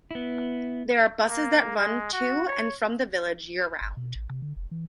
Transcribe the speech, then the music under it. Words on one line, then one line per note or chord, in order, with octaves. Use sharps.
There are buses that run to and from the village year-round.
B3 E4
A#3
G#3
F#4
C#5
G1
B2
A1
C3
D3
F1
E3